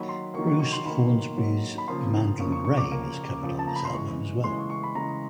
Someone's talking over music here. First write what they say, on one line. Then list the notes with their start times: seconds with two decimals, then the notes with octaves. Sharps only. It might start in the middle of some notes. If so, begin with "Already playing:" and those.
Bruce Hornsby's "Mandolin Rain" is covered on this album as well.
Already playing: D#3 F#3 A#3 B5
0.09 C6
0.34 D#3 F#3 A#3 C#6
0.47 C#6
0.59 C#6
0.73 C6
0.85 D#3 F#3 A#3 B5
1.37 D#3 F#3 A#3
1.78 B5
1.88 C#3 F3 A#3 C6
2.39 C#3 F3 A#3 C#6
2.52 C#6
2.65 C#6
2.77 D6
2.90 C#3 F3 A#3
3.42 C#3 F3 A#3
3.59 A5
3.67 A#5
3.76 B5
3.85 C6
3.93 C#3 E3 G#3 C#6
4.44 C#3 E3 G#3 C6
4.58 C#6
4.70 C#6
4.84 B5
4.95 C#3 E3 G#3 A#5